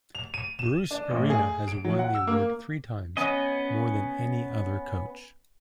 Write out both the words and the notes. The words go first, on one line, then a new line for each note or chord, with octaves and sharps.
Bruce Arena has won the award three times, more than any other coach.
F7
D#7
E7
D4
A1
G#4
D7
F#3
F#5
E6
A#3
B3 C#4 D#5